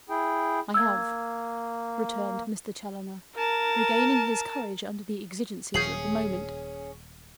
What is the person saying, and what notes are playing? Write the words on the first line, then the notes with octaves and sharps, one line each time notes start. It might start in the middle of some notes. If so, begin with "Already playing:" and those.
"I have," returned Mr. Challoner, regaining his courage under the exigencies of the moment.
E4 G#4 G5
A#3 E6 G#6
A#4 A5
D#1 C#4 G#4 G6 C7 F#7